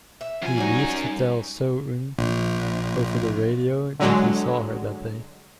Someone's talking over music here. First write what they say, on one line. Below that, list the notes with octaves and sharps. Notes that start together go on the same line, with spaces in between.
He leaves to tell So-eun over the radio that he saw her that day.
E5
F#2 F3 G#5
F#3 G3 D#4 F#4
A#1
D3 F#3 G#3